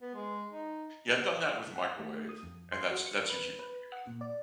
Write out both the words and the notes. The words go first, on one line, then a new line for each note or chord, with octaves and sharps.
Yeah, I've done that with a microwave, and that's that's usually pretty good.
B3
G#3
D#4
F#5
A3
D#6
F2
C6
F#4
C#7
B4
B4
F#5
A#2
D5